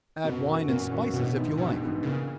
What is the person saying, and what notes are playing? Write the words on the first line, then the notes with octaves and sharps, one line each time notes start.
Add wine and spices if you like.
F#2 B2
E3 A#3 C#4 F#4
F#2 A#2
E3 A#3 C#4 F#4
A#1 B2
G#2 E3 B3
A#1 B2
G#2 E3 B3
A#2 C#3